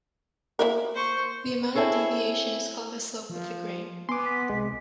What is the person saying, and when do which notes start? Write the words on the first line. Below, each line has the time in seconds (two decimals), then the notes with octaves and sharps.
The amount of deviation is called the slope of the grain.
0.59 A#3 E4 A#4
0.94 C5 C#6
1.75 C4 E4 G#4 A4 C#5
3.30 F3
4.09 B3 G#5 C6 D6
4.25 B6
4.50 C2 G#3